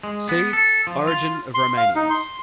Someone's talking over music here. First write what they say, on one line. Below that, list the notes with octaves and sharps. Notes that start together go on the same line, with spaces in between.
See: Origin of Romanians.
G#3
B3
A4
F3
F4
C6
F5
D#4
C6